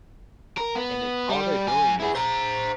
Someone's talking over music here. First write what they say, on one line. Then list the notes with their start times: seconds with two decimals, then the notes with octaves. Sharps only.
and it all they're doing is
0.57 A#4
0.75 B3
1.29 G3
1.67 F#2 G#5
2.00 E4 G#4
2.15 C5 A#5